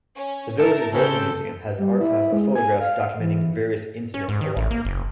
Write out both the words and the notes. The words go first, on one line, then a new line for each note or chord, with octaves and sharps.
The village's local museum has an archive of photographs documenting various incidents along it.
C#4
A3 A4 A#4 A5
C#3 C4 C#4 A4 G6
G3
E4
G#3
G#5
F5
E3
C#4
G#2
D#3
A1
A#3
F#1